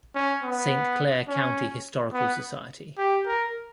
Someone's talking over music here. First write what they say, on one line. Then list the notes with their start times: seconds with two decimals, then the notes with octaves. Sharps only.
Saint Clair County Historical Society.
0.15 C#4
0.44 B3
1.28 C#4
2.13 B3
2.97 G4
3.26 A#4